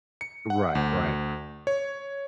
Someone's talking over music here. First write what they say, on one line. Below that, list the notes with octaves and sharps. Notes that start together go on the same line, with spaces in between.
Right, right.
C#7
F#5
D2
C#5